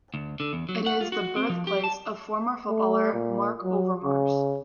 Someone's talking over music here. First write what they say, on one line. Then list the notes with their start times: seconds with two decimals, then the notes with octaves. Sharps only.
It is the birthplace of former footballer Marc Overmars.
0.14 D2
0.40 D3
0.53 E2
0.69 F#3
0.86 F#5
1.01 F4
1.12 F#4
1.36 C4
1.49 F3
1.67 G4
1.84 A5
2.69 A3
3.13 A#2
3.64 F#3
4.04 C#3